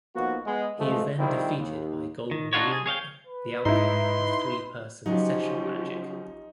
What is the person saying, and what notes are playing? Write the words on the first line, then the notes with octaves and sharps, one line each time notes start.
He is then defeated by Golden Mirumo, the outcome of three person session magic.
F3 A#3 B3 D#4 F#4
G#3 B3
G2 F3 G#3 A3
D3 D#3 F3 G3 C4 E4
D#2
D#3
D4 D#4 F4 F#4 C#5
G#4
G#4 C#5 F5 G5
B4
G#2 D#4 E4 C6
C#3 F3 F#3 C#4 D#4 G4